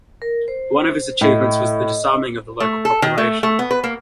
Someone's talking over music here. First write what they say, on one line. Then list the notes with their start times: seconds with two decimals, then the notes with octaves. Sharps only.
One of his achievements was the disarming of the local population.
0.22 A#4
0.48 C5
1.21 A2 D#5
2.60 A3
2.85 A4
3.02 D#3
3.18 A3
3.43 A3
3.59 B3
3.71 B4
3.84 A#3